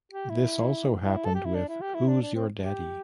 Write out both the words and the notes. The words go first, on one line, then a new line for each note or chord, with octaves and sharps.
This also happened with Who's Your Daddy?
G4
E4
E4
A4
G4
E4
D4
E4
G4
E4
D4
D4
C4
G4